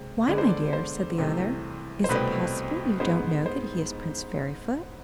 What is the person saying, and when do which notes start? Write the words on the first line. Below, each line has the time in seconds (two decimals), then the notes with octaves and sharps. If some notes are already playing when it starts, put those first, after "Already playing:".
"Why, my dear," said the other, "is it possible you don't know that he is Prince Fairyfoot?"
Already playing: C3 G#3 C4
0.28 D3 G#3 B3 D5
0.38 C5
0.49 D5
0.73 C5
1.18 C2 C3 E3 A3
2.04 C5
2.09 C2 B2 A3 C4 B4
3.00 G#2 G#3 B3 C5
3.46 C5